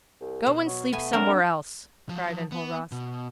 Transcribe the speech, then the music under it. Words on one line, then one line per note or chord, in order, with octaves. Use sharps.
"Go and sleep somewhere else," cried Enjolras.
C2
B2
F#3
A3 B3 G#5
F#3 C4 D4 A#4
F3 F#3
B3
B2